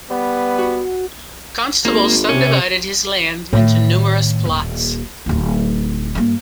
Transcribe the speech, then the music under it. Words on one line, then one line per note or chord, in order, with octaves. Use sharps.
Constable subdivided his land into numerous plots.
G3 B3 B4
F#4
G#1 A#3
C3 C#4
A2 D#3
D#1
D1 D#4
G2 A#3